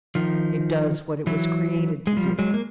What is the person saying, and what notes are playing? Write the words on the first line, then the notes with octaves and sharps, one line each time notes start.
It does what it was created to do.
D#3 F3
E3 F#3
G#3
F3 G3
F#3 G#3
A#3